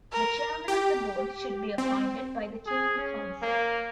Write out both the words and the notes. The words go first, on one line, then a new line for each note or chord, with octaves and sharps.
The Chairman of the board should be appointed by the King in Council.
A#4
G4
C4
G#4
C#4
A#3